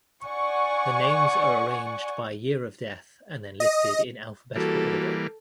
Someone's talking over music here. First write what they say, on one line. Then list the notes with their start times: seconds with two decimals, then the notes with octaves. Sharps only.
The names are arranged by year of death and then listed in alphabetical order.
0.24 D5 F#5 G#5 C#6
3.60 D#5
4.56 E3 G3 A#3 F#4 A4